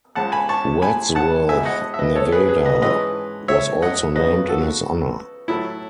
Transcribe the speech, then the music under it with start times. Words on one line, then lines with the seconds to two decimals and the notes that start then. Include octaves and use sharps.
Wadsworth, Nevada, was also named in his honor.
0.15 C#2 C#3 G#3 F#5 A5
0.32 G#5 B5
0.49 A5 C#6
0.82 G#5 B5
1.15 F#5 A5
1.49 B2 G#3 D#4 E5 G#5
1.65 D#5 F#5
1.94 E5
1.99 B4 D#5
2.16 A4 C#5
2.32 G#4 B4
2.49 G#4 B4
2.65 B4 D#5
2.82 G#2 E3 G#3 C#4 B4 D#5
3.48 C#5 E5
3.82 D#5 F#5
4.16 C#3 F#3 B3 D#4 B4 D#5
4.48 F#4 A4
5.48 A2 F#3 A3 E4